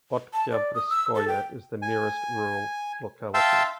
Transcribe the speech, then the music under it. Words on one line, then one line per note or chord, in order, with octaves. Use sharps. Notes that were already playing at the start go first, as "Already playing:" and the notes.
Oktyabrskoye is the nearest rural locality.
A5
D5
D#6
E6
A4
G5
G#5
E5 F5 G5 A5 C6 E6